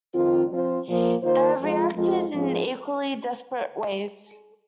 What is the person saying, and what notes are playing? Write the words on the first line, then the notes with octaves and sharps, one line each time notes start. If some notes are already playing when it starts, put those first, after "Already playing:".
They have reacted in equally desperate ways.
F2 D#3 C4 F4
F3 C4 F4 C5
A#2 F3 A#3
D#3 A#3 F4 C5
F2 F3 G#3 F4
F2 F3 G#3 F4
G#2 F3 C4 G#4